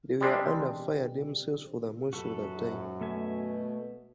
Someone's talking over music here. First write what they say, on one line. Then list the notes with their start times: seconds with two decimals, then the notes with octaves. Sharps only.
They were under fire themselves for most of the time.
0.21 G3 G#3 C4 D4
2.13 F#2 F#4 A4 B4
2.58 G#2
3.01 B2 A3 E5 G#5